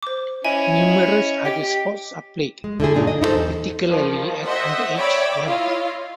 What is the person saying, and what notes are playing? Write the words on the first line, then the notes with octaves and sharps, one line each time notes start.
Numerous other sports are played, particularly at under-age level.
C5 D6
C#4 E4 D#5 G#5
G4
G#3
D3 A3 E4 G#4
G2 A#2 F#3 D4 D#4
D#5
D#4 E4 G4 A4 C5
E2
D#3 F3 G3
C5 D#5 E5 F#5
C#5 D5 E5 G5 B5 D6
E4 F4 C#5 D#5 F5